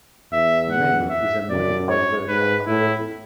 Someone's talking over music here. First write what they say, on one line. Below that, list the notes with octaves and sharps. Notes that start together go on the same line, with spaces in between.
Maemo is a modified version of Debian.
E2 E5
F#5
E5
F#2 D5
C#5
G#2 B4
A2 E4